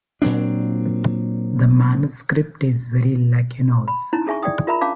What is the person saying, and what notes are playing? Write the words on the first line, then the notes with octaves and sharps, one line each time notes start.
The manuscript is very lacunose.
A#2 F#3 C4 D4
B5
C#4 D#4 E4 A#5
D4 G#4 E5 G#5 C#6
D5 G5 D#6
F4 A#4 E5 A#5 B5
C#4 D4 F5 A5 D6